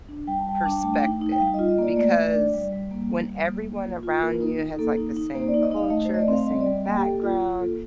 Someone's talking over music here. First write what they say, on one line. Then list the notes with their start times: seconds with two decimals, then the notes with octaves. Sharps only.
perspective, because when everyone around you has, like, the same culture, the same background,
0.09 D4
0.27 G3 G5
0.39 A5
0.47 G3 G5
0.61 D4 A5
0.72 G5
0.82 A3 A5
0.94 G5
1.03 D#4
1.21 D#4
1.32 G5
1.40 G3 F5
1.54 D#5
1.59 F4
1.69 D#5
1.78 A#3 D5
1.96 A3 D5
2.16 A3
2.34 D4
2.54 G3
2.72 G3
2.91 A#3
3.09 G3
3.28 G3
3.46 A#3
3.65 A#3
3.85 F4
4.03 F4
4.22 A#3 A#4
4.41 D#4
4.59 D#4
4.79 A#3 A4
4.97 D#4
5.16 D#4
5.34 A#3 C5
5.48 D5
5.54 D#4
5.63 D#5
5.72 D#4 F5
5.90 A3 D#5
6.05 C5
6.09 A3 D#5
6.19 D5
6.28 C4
6.33 F5
6.47 G3 D#5
6.61 D5
6.66 G3
6.76 D#5
6.85 A#3 G5
6.98 G4
7.04 A#3 A4
7.22 F4
7.41 F4
7.59 A#3 A4